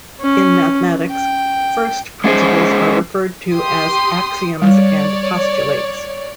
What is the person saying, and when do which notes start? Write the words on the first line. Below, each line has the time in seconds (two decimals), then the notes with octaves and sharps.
In mathematics, first principles are referred to as axioms and postulates.
0.21 C#4
1.12 G5
2.24 G#3 C#4 G#4 C5
3.53 G4 C6 D#6
4.62 G3 C#5 D5